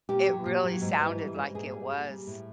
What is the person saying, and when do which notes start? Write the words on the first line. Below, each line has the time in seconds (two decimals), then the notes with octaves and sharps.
It really sounded like it was,
0.09 A#2 G4
0.27 F#3
0.46 A#2
0.63 F#3
0.81 G#2
1.00 E3
1.18 G3
1.36 G#2
1.55 A#2 G#4
1.72 G3
1.91 A#2
2.09 G3
2.27 A2